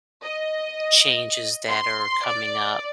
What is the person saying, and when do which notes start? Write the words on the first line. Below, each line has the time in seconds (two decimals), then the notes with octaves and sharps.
changes that are coming up
0.24 D#5
1.69 C6
2.27 D5